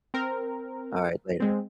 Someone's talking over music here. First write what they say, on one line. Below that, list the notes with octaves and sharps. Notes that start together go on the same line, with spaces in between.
Alright, later.
C4 A#4
G#3 C4